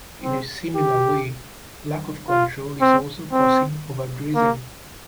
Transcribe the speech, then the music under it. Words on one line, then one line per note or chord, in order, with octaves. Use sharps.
In a similar way lack of control is also causing over-grazing.
C4
G4
F4
C4
C4
A#3